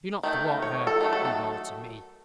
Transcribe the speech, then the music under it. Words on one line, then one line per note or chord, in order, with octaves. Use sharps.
Do not thwart her; leave all to me.
D#3 A3 D#4
C#5
A4
D#3 F#3 A3 A4
A4
A4